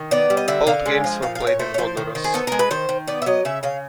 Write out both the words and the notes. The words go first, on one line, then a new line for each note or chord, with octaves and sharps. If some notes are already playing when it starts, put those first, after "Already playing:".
Both games were played in Honduras.
Already playing: D#3
B3 D5
G3
D#5
D3 E5
D3 F5
G#3
F3
A#2 F5
F5
A#2
C#5
A3 C5
C#5
F3 C5
D#3
D#3
G#4
B3 A4
G#3 A#4
B4
D#3 C5
D#3
B3 D5
E5
F#3 D#5
C#3 E5
C#3 F5